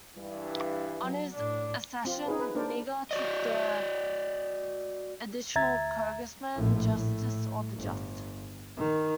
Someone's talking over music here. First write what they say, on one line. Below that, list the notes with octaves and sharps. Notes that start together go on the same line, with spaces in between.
On his accession, Niger took the additional cognomen "Justus", or "the Just".
G2 E3
F#3
A2 D4
C4 F4
D#4 G#4 B4
B4
A#3 D4 A#4 C5 D5
F#4 D5 D#5
D2 E5 A#5 G#6 A6
A#1 A2
A2
G1
D#3